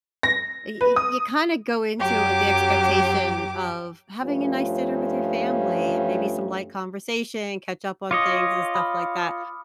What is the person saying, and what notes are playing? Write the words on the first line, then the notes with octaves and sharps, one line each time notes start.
y y you kinda go into with the expectation of having a nice dinner with your family, and maybe some light conversation, catch up on things, and stuff like that,
A#6
B4
D#6
F#2 F#3 G4 D6
G2 F3 A3 C#4 F4
F4 C#5 D#5 D6 D#6
B5 D#6 F6